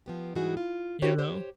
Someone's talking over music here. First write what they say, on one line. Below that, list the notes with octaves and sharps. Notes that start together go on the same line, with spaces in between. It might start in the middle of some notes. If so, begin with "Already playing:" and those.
You know?
F3 B3 G4
G#2 E3 G3 D#4 F#4 G#4
F4
D4 E4 F#4 G4 C5 C#5
G4 C5 C#5